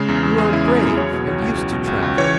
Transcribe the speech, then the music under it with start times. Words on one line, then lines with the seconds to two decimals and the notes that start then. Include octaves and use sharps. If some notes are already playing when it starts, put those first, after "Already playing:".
You are brave and used to travel.
Already playing: C#3 G#3
0.08 E2
0.23 E2
0.38 G#3 G#4
0.53 C#3 E4
0.68 E2 E4
0.82 E2 G#4
0.97 F#3 C#5
1.13 B2
1.27 C#2
1.42 C#2
1.58 F#3
1.72 B2
1.87 C#2
2.03 C#2
2.17 E3 C#5